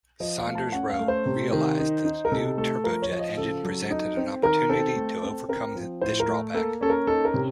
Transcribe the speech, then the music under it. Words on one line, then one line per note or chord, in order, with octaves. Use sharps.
Saunders-Roe realised that the new turbojet engine presented an opportunity to overcome this drawback.
F3 D#5
F5
A3
A5
C#4 F#5
F5
A3
C5
C3
D#3
D#4
D#4
A#4
C3 A4
A3 A4
F3 A#4
C#5
F3
D#5
C#3 A4
F#3
D#4
C4
D#3 A#4
C4 A4
A3
C4
C4 A#4
F3
A2 C5
A#4
A3
A#3 A4
C#4 A4
A#4
D#4 A4
A#4
C3